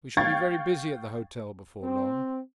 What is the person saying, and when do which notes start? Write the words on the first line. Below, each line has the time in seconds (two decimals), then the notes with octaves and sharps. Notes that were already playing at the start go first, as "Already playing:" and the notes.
We shall be very busy at the hotel before long.'
0.17 F5 G5 C#6 G#6 A6
1.82 C4